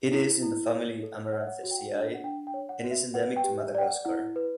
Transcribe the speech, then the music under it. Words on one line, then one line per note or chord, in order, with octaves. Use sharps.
It is in the family Amaranthaceae and is endemic to Madagascar.
E4
E4
C#5
A4
C#5 F#5
E5
F#5
F#4
G5
F#5
D4
F#5
D4 G5
G5
C#5
F#5
F#4
E5
B4 F#5
G5
G4
E5
D5 G5
F#5
E4 F#5
B4